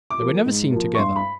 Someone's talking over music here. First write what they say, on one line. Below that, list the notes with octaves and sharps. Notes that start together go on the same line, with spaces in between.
They were never seen together.
D6
F3 A#3
G#2
F3 A#3
C#6
G2 C6
B5